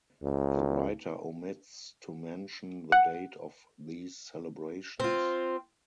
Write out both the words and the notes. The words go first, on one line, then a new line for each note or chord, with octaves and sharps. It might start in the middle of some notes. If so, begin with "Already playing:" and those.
The writer omits to mention the date of these celebrations.
C#2
F#5
C4 F4